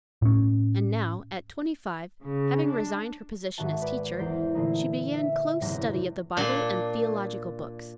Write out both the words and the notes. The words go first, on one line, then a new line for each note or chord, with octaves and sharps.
And now, at twenty-five, having resigned her position as teacher, she began close study of the Bible and theological books.
A2 C#4
C#3
D4
G#1 G#2 D#3 F#4 E5 A5
B4 D5 G#5
E2 E3 A#4 C5 D7
A#2 D3 E3 A3 A#3 D#4
E5 D7
F#1 E2 G#2 C3 G#4 A#6
A#2 D4